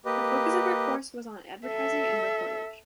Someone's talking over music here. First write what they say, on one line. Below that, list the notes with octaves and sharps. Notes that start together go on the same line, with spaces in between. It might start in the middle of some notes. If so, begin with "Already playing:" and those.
The focus of her course was on advertising and reportage.
A#3 G4 B4 D#5
A4 E5